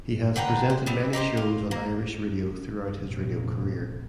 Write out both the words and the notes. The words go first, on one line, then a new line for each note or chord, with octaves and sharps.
He has presented many shows on Irish radio throughout his radio career.
D3 B4 G5 A#5
C5
G3 B3 C4
D#4 G4 B4 C5
F4
A#3
F1 A#2